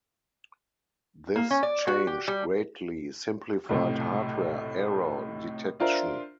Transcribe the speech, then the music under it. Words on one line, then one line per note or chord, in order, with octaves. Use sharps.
This change greatly simplified hardware error detection.
A#3
C#4
D5
F#4
G4
G3
B1 A2 C3
D4 F4 A#4 C5 E5